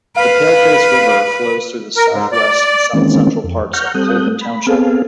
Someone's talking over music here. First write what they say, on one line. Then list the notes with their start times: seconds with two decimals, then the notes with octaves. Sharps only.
The Paleface River flows through the southwest and south-central parts of Colvin Township.
0.16 B4 F5
1.96 A#4
2.11 G#2
2.32 D5
2.93 D#3 E3 G#3 A#3 C4 C#4
3.44 F2
3.73 F#5 A#5 C#6 F6 G6
3.94 G3 C4 A4 D#6 F#6 G6
4.41 B5
4.67 B3 C4 G#4 A4 F5